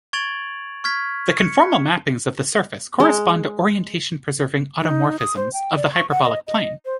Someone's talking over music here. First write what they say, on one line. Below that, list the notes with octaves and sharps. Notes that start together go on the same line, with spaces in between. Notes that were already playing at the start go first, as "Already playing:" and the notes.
The conformal mappings of the surface correspond to orientation-preserving automorphisms of the hyperbolic plane.
C#6 G#6 A6 D7 F7 F#7
C#6 F6 G#6 B6
C#7
G#3
D#4
D#6
C5
G5
D5
C#6
F#5
D#5
D#5
C5